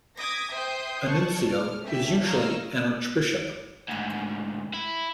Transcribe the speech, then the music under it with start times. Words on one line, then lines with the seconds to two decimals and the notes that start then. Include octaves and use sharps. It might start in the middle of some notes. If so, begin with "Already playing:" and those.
A nuncio is usually an archbishop.
0.18 D6 D#6 G#6 A#6 B6
0.54 C5 E5 G5 D#6 G6 C7
1.07 D5 A5 C#6
1.49 F6
1.82 A3 C#4 G4 E5
2.25 C#5 D#5 F5 A#5 E6 F6
3.88 D2 G#2
4.74 E4